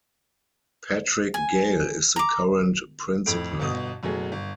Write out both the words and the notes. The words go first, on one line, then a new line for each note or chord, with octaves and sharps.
Patrick Gale is the current principal.
G#5
A#5 D6
F2 A2 D7
G1 B2 D#6
F#1 B2 F#3 A3 G#4
G1